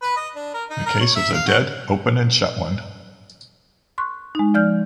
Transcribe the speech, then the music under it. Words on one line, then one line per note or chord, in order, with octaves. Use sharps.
The case was a dead open-and-shut one.
B4
D#5
D4
A#4
D#4
A#4
C#5
E5
F5
F#4
C6 C#6 F#6
G#3 D#4
F3 D5 F6 G6